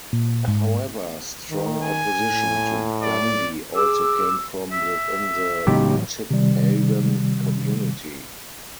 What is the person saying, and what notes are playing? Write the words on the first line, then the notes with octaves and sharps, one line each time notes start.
However, strong opposition to Gandhi also came from within the Chitpavan community.
A#2
G#2
D#3
G#5
A2
D5
G#4 D6 E6
E5
C#2 A2 E3 F#3 B3 D#4 G4
C3 D#3 G3